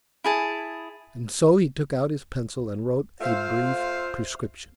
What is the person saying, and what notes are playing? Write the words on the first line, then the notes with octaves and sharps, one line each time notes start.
And so he took out his pencil and wrote a brief prescription.
E4 G#4 A5
A3 F4 C5 F5